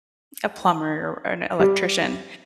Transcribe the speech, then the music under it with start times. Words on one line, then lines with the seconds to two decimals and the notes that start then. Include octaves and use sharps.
a plumber or a an electrician,
1.59 G3